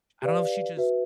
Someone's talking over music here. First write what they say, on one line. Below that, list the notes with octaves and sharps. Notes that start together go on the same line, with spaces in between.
I don't know if she, just
G4 B4 D5 F5
F#4 B4 E5